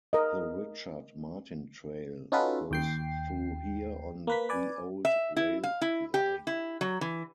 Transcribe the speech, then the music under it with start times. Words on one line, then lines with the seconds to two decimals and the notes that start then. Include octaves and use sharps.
The Richard Martin Trail goes through here on the old rail line.
0.13 A#4 D#5
2.32 C#4 D#4 F4 F#4 A4 B4
2.71 D#2 G5 C7
4.27 A#3 B4 B6
4.49 B4 D5 G#5
5.05 E5
5.37 E4
5.63 F5
5.81 E4
6.14 G4
6.47 E4
6.81 F#3
7.01 E3